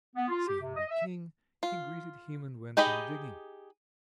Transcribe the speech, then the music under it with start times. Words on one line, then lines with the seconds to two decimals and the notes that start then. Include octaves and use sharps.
Seeing the King, he greeted him and went on digging.
0.16 B3
0.28 F4
0.47 G4
0.60 C3
0.76 D#5
0.90 E5
1.63 F4
2.77 D#4 G4 G#4 D#5 B5